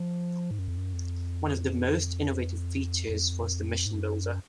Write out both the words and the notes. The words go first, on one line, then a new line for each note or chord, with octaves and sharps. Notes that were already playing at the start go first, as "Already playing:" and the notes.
One of the most innovative features was the mission builder.
Already playing: F3
G#2
F#2
F2
F#2
F2
F2
G#2
F#2